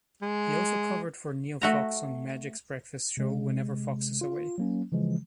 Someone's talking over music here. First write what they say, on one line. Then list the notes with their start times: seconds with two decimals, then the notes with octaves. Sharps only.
He also covered for Neil Fox on Magic's breakfast show whenever Fox is away.
0.22 G#3
1.62 A3 F#4 A#5
3.17 C3 G#3
4.21 F4
4.58 F#3 A#3 C#4
4.92 C#3 E3 F3 G#3